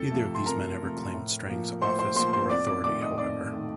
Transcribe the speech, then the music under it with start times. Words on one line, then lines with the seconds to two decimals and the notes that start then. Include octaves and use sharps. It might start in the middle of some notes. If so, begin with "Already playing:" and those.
Neither of these men ever claimed Strang's office or authority, however.
Already playing: F2 A4 A5
0.12 C3 F3 A3
0.35 C6
0.46 F2 A#4 A#5
0.80 C3 F3 A3
1.14 A2
1.48 F3 A#3
1.82 A2 C5 C6
1.99 C5 C6
2.16 F3 A#3 C5 C6
2.33 C5 C6
2.50 F2 D5 D6
2.67 D5 D6
2.84 D#3 A3 D5 D6
3.01 D#5 D#6
3.18 F2 D5 D6
3.52 D#3 A3